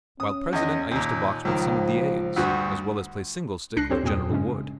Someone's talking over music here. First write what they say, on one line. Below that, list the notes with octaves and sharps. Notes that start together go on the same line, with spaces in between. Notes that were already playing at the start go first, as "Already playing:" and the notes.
While President I used to box with some of the aides, as well as play single-stick with General Wood.
C#4 D#6
E2 D#5
D#2 A#2
C#2 D#3 F3
D2 G2 F#4
C#2 D4 F#6 A#6 C7
C4 G4 A4 C5 C#5
E2 A#2 G5 D#6
G2 C#3 G#3 C#4